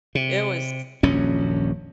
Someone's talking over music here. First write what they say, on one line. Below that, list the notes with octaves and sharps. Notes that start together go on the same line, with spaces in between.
it was
C3
D#1 A#1 F#2 C#4